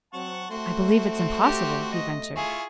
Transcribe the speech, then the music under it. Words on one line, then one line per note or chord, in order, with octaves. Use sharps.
"I believe it's impossible," he ventured.
F#3 C4 F#5 A5 C#6
A3 C4 F#4 C6
G4
D#5
E4 F4 G#4 C#6